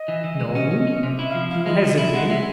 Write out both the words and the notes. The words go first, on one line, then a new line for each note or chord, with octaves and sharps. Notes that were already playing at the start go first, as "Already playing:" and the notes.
No? You hesitate?
Already playing: D#5
E3
E3
G#3
C#4 D#5
C#4
C#4
C3
E4 E5
F5
F3
E4 F5
G#3 D#5
F3
E4
G#3 F#5
G#3 E5